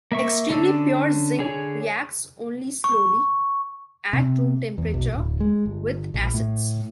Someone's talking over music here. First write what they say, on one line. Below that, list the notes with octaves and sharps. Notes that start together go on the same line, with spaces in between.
Extremely pure zinc reacts only slowly at room temperature with acids.
A#3 E5 C#6
D3 C#4 D4 E6
D3 G#4 C#5
C#6
C3
E2
B1
D1
G#3
G1
A#1
A2